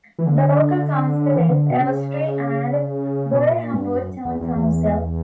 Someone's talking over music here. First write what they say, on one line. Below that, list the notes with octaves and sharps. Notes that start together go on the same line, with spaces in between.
The local council is Elstree and Borehamwood Town Council.
E3
D3
E3
D3
B2
C#3
B2
A#2
G2
F#2
E2
E2
E2